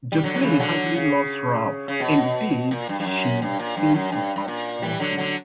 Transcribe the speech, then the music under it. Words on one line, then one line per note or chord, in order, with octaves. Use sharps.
Jocelyn hardly loves Ralph - indeed, she seems to abhor him.
G3
D3 F#3
F#3
C#3 E3
D3 F#3
C#3
C#3
B2
A#2
G2
G2
F#2
G2
A#2
G2
F#2
G2
G2
A#2
E3 G3
D3 F#3
D3 F#3